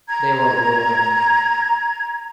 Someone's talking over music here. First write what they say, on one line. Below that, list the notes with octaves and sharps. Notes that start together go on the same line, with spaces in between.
They were a whirlwind.
A#5 G#6